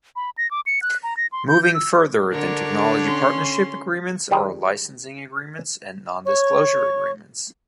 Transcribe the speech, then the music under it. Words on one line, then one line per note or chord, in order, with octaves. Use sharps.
Moving further than Technology Partnership Agreements are Licensing Agreements and Nondisclosure Agreements.
B5
A#6
D6
C#7
F#6
A#5
A#6
C6
G6
G6
E6
D3 D4 A#4 C#5
C#4 C6
D#3 G3 G#3 G4 G#4
C#5 C#6